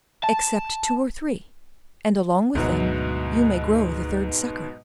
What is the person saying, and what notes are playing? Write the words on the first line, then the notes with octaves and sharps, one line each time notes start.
"Accept two or three, and, along with them, you may grow the third sucker."
A5
D2 G#2 B2 F#3